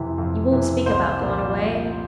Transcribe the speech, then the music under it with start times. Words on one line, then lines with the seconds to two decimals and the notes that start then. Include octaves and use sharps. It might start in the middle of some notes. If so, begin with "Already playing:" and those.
You won't speak about goin' away?'
Already playing: F2 C3 E3
0.18 F2
0.52 C3 E3
0.86 C2 C5
1.21 A#2 F3